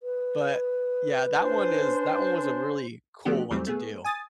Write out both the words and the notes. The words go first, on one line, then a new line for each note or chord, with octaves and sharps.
but, yeah, that one is that one was a really cool one to do,
B4
C#4 D4 C5
F3 A3 B3 D4 F#4 G4
E2 E3 F#3 G3 A3 C4
A3 B3 G#4
G#5 D#6 A6